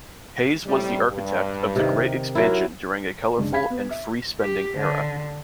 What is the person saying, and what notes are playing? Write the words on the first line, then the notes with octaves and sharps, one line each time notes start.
Hays was the architect of the great expansion during a colourful and free-spending era.
A2 C3 G3
G2
C3 D#3
F#3 E4 A#4
F#1 G#3 D4
F5 B5 G#6 B6
B3
E5
G4
D3